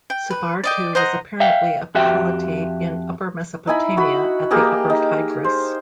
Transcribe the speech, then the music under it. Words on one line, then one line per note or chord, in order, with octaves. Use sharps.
Subartu was apparently a polity in Upper Mesopotamia, at the upper Tigris.
G5
B4
D5 D#5 G5
C5 D#5 F#5 A#5
E5 F5 G5
F2 F#4 G4 E5 G5
D#4 E4 G#5 B5
F#4 B5
A#3 G4 G#4 A#5
D#4
C5